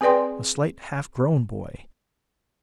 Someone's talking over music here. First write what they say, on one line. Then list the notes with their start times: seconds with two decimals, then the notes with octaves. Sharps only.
A slight, half grown boy.
0.01 C4 G#4 B4 D5 G5 C6